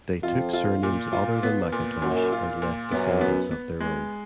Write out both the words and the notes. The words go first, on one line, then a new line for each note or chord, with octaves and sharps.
They took surnames other than Mackintosh and left descendants of their own.
F2 F4
F4
A#2
F4
B3
A#2
F#2 A#2
F4
A#2
F#2 B3
B3
B3
G#3